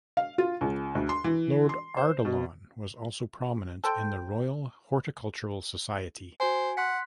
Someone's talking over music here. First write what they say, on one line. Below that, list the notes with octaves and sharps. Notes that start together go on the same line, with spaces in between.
Lord Ardilaun was also prominent in the Royal Horticultural Society.
F5
F4
C#2
D2
C6
E3
C6
C5
B2
A4 C5 G5
F#4 C5 G#5
F#5 C6 F#6 B6